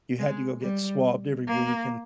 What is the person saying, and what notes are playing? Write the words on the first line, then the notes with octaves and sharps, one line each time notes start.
you had to go get swabbed every week and
G#3
G3
A#3